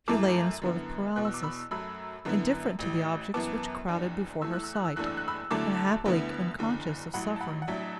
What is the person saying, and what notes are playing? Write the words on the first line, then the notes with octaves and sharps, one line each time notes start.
She lay in a sort of paralysis, indifferent to the objects which crowded before her sight, and happily unconscious of suffering.
F#2 E3 A3 E4 A5 D6
F#2 D3 B3 E4
E2 B2 B3 F#6
E6
D6
B5 E6
F#2 F#3 A3 B5 E6
F#2 D3 B3 E4
A1 A2 E3
F#2 E3 B3 A5 D6
F#1 E2 E3 D4
E2 E3 A3 E6
F#6
E6
F#6
E6
F#1 E2 E3 A3 D4 F#6
E6
F#6
B5 E6
D2 D3 F#3 A3 E4 A5 D6
D2 D3 B3 E4
F#1 E2 D3
A1 A2 F#3 F#5 B5
A5
F#5 B5
F#5
A1 A2 F#3 D4 E5 A5